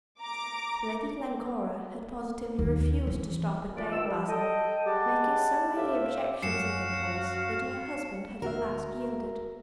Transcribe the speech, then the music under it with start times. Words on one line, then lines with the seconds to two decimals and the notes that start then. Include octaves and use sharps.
Lady Glencora had positively refused to stop a day at Basle, making so many objections to the place that her husband had at last yielded.
0.20 A#5 D6
2.58 D#2
3.07 E3
3.75 A#2 G#3 D5
3.91 D#3 E3 F4 E6
4.05 G3
4.28 A4 D#5 G5
4.86 G3 G#3 G4 F#5 A5
5.76 A2 F4 G4 E5
6.42 F#2 F#4 F5 C7 C#7 E7
8.42 D2 F#4 A#4 E5